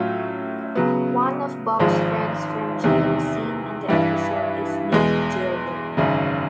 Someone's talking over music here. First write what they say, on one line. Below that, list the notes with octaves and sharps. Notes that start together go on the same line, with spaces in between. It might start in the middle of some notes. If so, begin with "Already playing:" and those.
One of Bob's friends from jail seen in the episode is Snake Jailbird.
Already playing: A2 F#3 A3 C#4 F4
C#3 F#3 B3
G#1 G#2 F3 G#3
E2 C3 D#3
G2 E3 G3
E2 B2 G#3
G#1 F#2 C#3